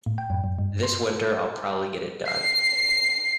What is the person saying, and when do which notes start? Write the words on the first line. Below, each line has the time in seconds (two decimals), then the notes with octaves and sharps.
This winter, I'll probably get it done.
0.06 A2
0.18 G5
0.30 F#2
0.44 F#2
0.59 G2
0.83 C6
2.30 C7